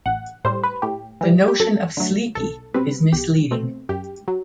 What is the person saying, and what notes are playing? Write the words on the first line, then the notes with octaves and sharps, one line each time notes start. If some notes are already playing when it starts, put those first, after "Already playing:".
The notion of "sleepy" is misleading.
A1 F#5
A2 G3 C5
B4
A2 G4
E3 G3
G4
F#2 A4
D3 F#3 A3
B1 A4
B2 G3 C4 B4
B1 G4
B2 A3 C4
F#2 G4
F#3